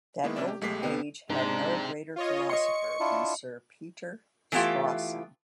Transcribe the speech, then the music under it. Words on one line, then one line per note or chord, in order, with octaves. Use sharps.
That golden age had no greater philosopher than Sir Peter Strawson.
D#3 G#3 A#3 B3 E4
C3 C#4 D5 E5
G4
B1 G#3 A3 G4 B6 C7
D#2 C3 B3 G5
G#2 G#3 C4 D4 D#4 G4
F4 C#5 D#5
D#5 C6 C#6 C#7
D4 E4 F4
E3 A3 B3 E4 F4 G4